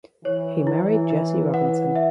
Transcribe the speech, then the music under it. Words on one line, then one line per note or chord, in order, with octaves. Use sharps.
He married Jessie Robinson.
E3 C#5
E4
E4
F#5
E5